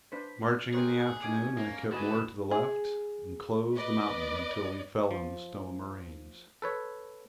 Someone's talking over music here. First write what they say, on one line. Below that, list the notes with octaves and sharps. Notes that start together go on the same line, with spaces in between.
Marching in the afternoon, I kept more to the left, and closed the mountain till we fell on the stone moraines.
D4 B4 C5 B6
F6
G4 G#4 A#4 C5 C#5 F#6
C#4 D#4 G#5 D6 G#6
A#3
D3 F#4 B4 D#5 G#5 E7
G#4
B4 D5 D#5
F3
A4 B4 C#5